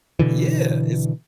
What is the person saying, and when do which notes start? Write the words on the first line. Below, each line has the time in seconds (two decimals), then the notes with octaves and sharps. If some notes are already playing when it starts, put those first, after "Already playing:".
Yeah, it's
0.19 B2 D3 E3